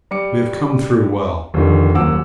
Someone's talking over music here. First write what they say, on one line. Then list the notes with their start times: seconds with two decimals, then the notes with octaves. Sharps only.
We have come through well.
0.11 G3 D6 C#7
1.54 F1 F2 D3 D#3
1.94 D#1 F#2 A#2 F#5 D6 E6